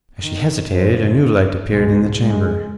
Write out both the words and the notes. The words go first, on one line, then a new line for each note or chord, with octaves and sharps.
As she hesitated a new light appeared in the chamber.
D#3
F#2 C#3 F3
C#2 B2 G#3
G#3